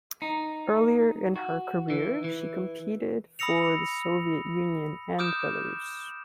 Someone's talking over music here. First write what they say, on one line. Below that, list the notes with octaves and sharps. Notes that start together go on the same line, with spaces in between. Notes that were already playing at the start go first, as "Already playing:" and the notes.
Earlier in her career, she competed for the Soviet Union and Belarus.
D#4
F#4
E3
E3
B5 D#6 E6 A#6 C#7 F7
D6 D#6 F6 G6 D7 E7